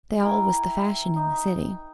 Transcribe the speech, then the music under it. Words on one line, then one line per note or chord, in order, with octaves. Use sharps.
They all was the fashion in the city.
E4 A#4 G5 G#5
D#4